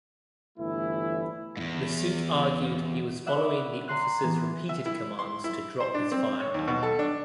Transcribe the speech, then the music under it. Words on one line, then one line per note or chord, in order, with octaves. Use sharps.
The suit argued he was following the officers’ repeated commands to drop his firearm.
G1 E3 A3 E4
E2 G#2
D5 E5 F#5 B5
A#5 C6 F#6
E3 B3
E5
E4
C6
E4
C5
D4
C4
C#5
D#2
B2
A4
D4